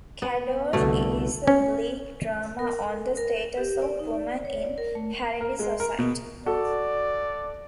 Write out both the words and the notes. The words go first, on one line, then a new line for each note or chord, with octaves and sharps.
"Kadosh" is a bleak drama on the status of women in Haredi society.
B3
C2 B2 D3 A3
C#4
A#4
A4
A#4
G4
D5
D#4
D5
C#5
D5
A#4
A3
A#4
G#3
A#4
B2
F#4 A4 D5